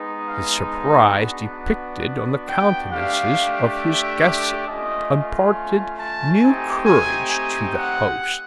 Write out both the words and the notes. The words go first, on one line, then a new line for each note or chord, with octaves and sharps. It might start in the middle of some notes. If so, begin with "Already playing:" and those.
The surprise depicted on the countenances of his guests imparted new courage to the host.
Already playing: G#3 B3 D#4
F5
A5
B3 D4 F#4
G5
A3 D4 G4 F5
E5
A3 C#4 F4 D#5
A5
A5
A3 C4 D#4 G4 G#5
G#5
G#5
F#5